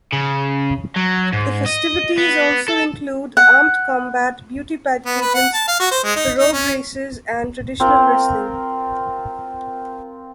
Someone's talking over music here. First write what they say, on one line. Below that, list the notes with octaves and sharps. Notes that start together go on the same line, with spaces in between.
The festivities also include armed combat, beauty pageants, pirogue races, and traditional wrestling.
C#3
F#3
G#2
D#5
B3
A4
F#5
B3
B4
F#5
A5
F5
F#4
C5
G#3
D#4
D#4
C#4
C4 F4 A#4